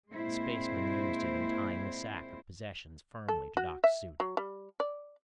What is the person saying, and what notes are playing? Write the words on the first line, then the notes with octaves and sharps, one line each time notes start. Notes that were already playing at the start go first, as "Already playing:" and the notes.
The spaceman used it in tying the sack of possessions firmly to Doc's suit.
A#2 G#3 C4 E4 C5
A4
F#4
E5
F#3
G3
D5